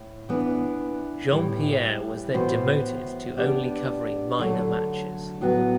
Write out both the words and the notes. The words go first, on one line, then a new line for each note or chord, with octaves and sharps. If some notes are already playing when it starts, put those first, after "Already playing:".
Jeanpierre was then demoted to only covering minor matches.
Already playing: A2
E3 B3 D4
A2 E3 G3
A2 E3 B3 F#4 C5
B3 D4 G4 D5
D3 F#3 A3
A2 F#3 B3 F#4